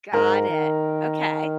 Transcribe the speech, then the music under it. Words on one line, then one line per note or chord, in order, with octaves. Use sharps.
Got it, okay.
G#2 A#4 A#5
D#3